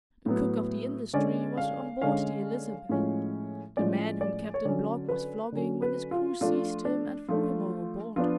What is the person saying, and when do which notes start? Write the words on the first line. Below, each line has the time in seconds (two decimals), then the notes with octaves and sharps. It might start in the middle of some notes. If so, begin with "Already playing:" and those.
The cook of the 'Industry' was on board the 'Elizabeth', the man whom Captain Blogg was flogging when his crew seized him and threw him overboard.
0.26 A2 F#3 B3
1.13 D3 G#3 C#4 D5
1.57 F5
2.02 D3 G#3 C#4 F5
2.89 A2 F3 G#3 C#4
3.77 A2 F3 G#3 C#4 D5
4.21 D5
4.54 C#5
4.65 D3 F#3 C#4 D5
5.09 B4
5.52 D3 F#3 C#4
5.82 B4
6.11 F4
6.41 F3 A3 D4 F4
6.85 D4
7.29 F3 A3 D4 F4
8.16 F3 B3 D4 F4